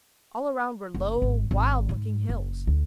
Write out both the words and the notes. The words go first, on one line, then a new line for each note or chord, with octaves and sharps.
All around were low, wild-looking hills.
F#1
G#1
G#1
G#2
F#1
D2